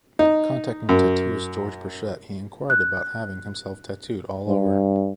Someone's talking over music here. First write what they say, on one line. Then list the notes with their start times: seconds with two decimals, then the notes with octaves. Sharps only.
Contacting tattooist George Burchett, he inquired about having himself "tattooed all over".
0.19 D#4
0.89 F#2
2.70 F#6
4.48 G2